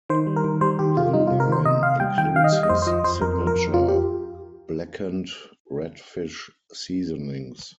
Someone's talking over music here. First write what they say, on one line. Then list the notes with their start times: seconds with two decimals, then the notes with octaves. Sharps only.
The line includes his signature Blackened Redfish seasonings.
0.10 D#3 C5
0.27 G3
0.36 A#4
0.44 D#3
0.61 G3 C5
0.79 D#3 G4
0.97 C3 F4
1.13 G3 D#4
1.27 F4
1.32 C3
1.40 A#4
1.48 D#3 C5
1.65 C3 D#5
1.83 C3 F5
2.00 G3 G5
2.18 D#3 G5
2.34 D#3 F5
2.44 D#5
2.52 G3
2.63 D#5
2.69 F2 C5
2.82 C5
2.87 F3 D#5
3.04 F2 C5
3.22 F2 A#4
3.39 F3
3.47 A#4
3.56 F2
3.74 F2 F4
3.88 G4